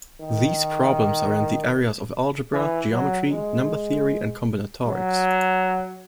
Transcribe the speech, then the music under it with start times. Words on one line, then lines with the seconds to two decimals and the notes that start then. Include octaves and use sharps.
These problems are in the areas of algebra, geometry, number theory and combinatorics.
0.20 D#3
2.53 E3
2.92 F#3
3.30 G#3
4.86 F#3